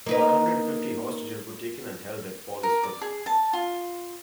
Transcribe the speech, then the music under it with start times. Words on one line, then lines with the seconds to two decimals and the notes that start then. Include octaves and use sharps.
One hundred fifty hostages were taken and held at Paulus Hook.
0.06 A#3 D#4 B4
2.63 A#4
2.83 D5
3.01 G#4
3.26 A5
3.53 F4